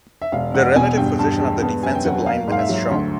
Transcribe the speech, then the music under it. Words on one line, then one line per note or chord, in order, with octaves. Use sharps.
The relative position of the defensive linemen is shown.
E5
E1 F5
E1 F#5
B2 G#5
G2 G5
G2 A5
G#3 A5
B3 A5
F#2 G#5
G5
F#3 F#5
A#3 F5
G#2 F5
E5
F#3
D2